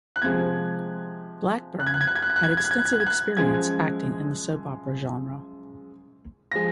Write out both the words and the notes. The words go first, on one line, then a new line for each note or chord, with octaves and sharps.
Blackburn had extensive experience acting in the soap opera genre.
F#6
C3 F3 G#3 G#6
F#6
G#6
F#6
G#6
F#6
G#6
F#6
G#6
F#6
G#6
F#6
G#6
F#6
G#6
F#6
G#6
F#6
G#6
F#6
F#2 F3 G#3 G#6
F3 G#3 A#6